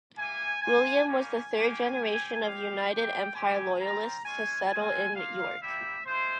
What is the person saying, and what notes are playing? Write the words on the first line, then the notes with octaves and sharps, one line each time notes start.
William was the third generation of United Empire Loyalists to settle in York.
A#3 E4 G4 G#5
A#3 F4 G#5
G3 A#3 C#4 G#5
A#3 C#4 G4
C4 G4
C4 G4 F5
C4 G4 G5
G3 C4 G4 G#5
G3 C4 F4 A#5
G#3 C#4 F4 G#5
G#3 C4 F4 G#5
A#3 F4 F5
G3 A#3 E4 G4 E5
G#3 E4 C5